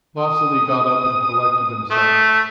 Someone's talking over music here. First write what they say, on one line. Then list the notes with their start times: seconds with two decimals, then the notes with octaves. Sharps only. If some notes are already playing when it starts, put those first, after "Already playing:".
Vasily got up and collected himself.
0.21 D#6
1.91 A3